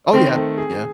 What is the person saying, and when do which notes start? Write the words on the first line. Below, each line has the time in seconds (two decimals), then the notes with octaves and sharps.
Oh, yeah, yeah.
0.13 D#3 C4
0.36 A3
0.58 G#4